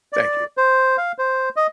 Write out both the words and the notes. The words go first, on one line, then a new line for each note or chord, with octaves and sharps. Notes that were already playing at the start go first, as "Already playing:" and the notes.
Thank you.
D5
C5
F5
C5
D#5